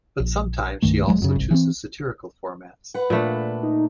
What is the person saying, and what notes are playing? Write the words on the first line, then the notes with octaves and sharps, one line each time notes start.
But sometimes she also chooses satirical formats.
A#1
C2 G2 D#3 A3
D#1 F#2 F#3 G#3
F#2 C#3
G1 C2
E3 F#3 C4
B4 F#5
A#2 A3 D4
D#4